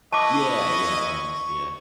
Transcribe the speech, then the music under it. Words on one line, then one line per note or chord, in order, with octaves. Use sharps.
Yeah, yeah, almost, yeah.
E4 B4 D#5 A5 C#6 D6